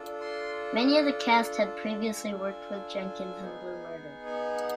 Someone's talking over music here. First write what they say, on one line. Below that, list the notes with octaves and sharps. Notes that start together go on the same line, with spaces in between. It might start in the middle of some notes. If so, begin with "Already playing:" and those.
Many of the cast had previously worked with Jenkins in "Blue Murder".
Already playing: D4 F4 A4
C6
A5
G#5
B3 D#4 G#4
G#5
F#5